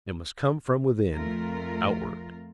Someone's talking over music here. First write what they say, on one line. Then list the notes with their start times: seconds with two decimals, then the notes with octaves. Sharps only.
It must come from within, outward.
1.15 F2 A3 F4 A#4